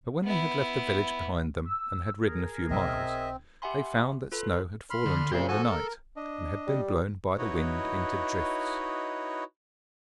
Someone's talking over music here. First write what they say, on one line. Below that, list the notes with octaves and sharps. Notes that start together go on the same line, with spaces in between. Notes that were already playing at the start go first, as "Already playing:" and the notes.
But when they had left the village behind them, and had ridden a few miles, they found that snow had fallen during the night, and had been blown by the wind into drifts.
B3 E4
E6
G#4 A#4
B1 B2 C4 D#5 E5
G4 E5 F#5 G#5 B5 C6
F4 A4 B4 B5
B5 C6 F6
D3
A#2 C#3 G4 C5
F3 F#4 A4 G#5
A#4
D4 D#5
G3
D#4 E4 F#4 B4 C#5 D#5